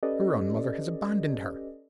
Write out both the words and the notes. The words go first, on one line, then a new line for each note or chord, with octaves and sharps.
Her own mother has abandoned her.
C#4 G4 A4 B4 D5 D#5